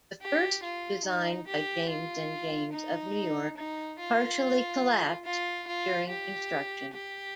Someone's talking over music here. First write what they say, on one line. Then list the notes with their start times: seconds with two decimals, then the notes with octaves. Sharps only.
The first design by James and James of New York partially collapsed during construction.
0.21 G4
0.63 F4
1.05 D#4
1.47 G4
1.89 F4
2.73 D#4
3.57 D#4
4.00 F4
5.25 F4
5.67 F4
6.09 G4
6.93 G4